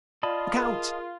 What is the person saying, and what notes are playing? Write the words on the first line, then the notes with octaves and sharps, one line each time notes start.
"Look out!"
F4 D5 D#5 A5 B5
G#4 A#4